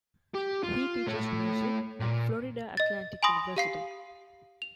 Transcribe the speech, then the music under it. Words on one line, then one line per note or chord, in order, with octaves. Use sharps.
He teaches music at Florida Atlantic University.
G4
F4
A3 C#5
A#2
D#5 A6
G#5 B5 C6 D#6 A#6
G4 F5 C7
F7